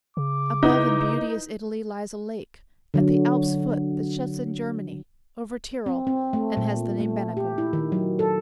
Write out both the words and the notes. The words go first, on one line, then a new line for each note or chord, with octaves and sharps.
Above in beauteous Italy lies a lake At the Alp's foot that shuts in Germany Over Tyrol, and has the name Benaco.
C#3 D6
D#4 E4 B4
D3 F#3
C4
C4
A3
A#2
A3
G4
E4
D#3
F#3
A4